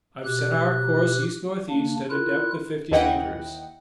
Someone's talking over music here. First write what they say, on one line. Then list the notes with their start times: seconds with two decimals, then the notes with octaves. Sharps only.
I've set our course east-northeast at a depth of fifty meters.
0.24 B2 G4 F#6
1.70 C#3 A#3 D4
2.10 E4 F4 A#4 F#6
2.91 D#2 E3 D#5 F#5 G5